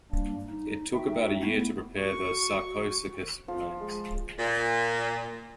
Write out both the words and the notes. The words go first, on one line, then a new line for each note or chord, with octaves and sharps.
It took about a year to prepare the "Sarcosuchus" remains.
G2 G3 A#3 D4
D#4
D#4 F#4 E5 G5
A3 B3 E4
F#4 C#6
F3
G#3
A#2